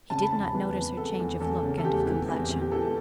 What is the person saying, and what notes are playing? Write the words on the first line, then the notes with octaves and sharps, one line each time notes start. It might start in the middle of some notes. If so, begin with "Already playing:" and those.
He did not notice her change of look and of complexion.
C#3 A5
B5
E2 A5
E2 B4
E2
E2 A4
E2
E2 A4
C#3
A4
E2 G4
E3
E2
E2
G4
E3 A4